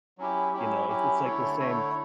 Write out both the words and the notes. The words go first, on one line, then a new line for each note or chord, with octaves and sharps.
you know? It's it's like the same
F#3 C#4 E4 G4
F#3 C#4 E4 G4
F#3 C#4 E4 G4
D3 A3 E4 A4 C#5
D3 A3 E4 A4 C#5